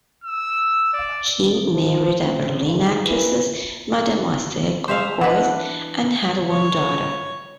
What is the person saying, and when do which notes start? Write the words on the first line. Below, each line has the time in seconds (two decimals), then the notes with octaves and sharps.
He married a Berlin actress, Mademoiselle Cochois and had one daughter.
0.24 E6
0.93 D5
1.74 F3
2.23 C4
2.64 G#2
3.06 E3
4.88 C5 E5 F5
5.21 E3 D4 B4 D#5 F#5
6.49 C#5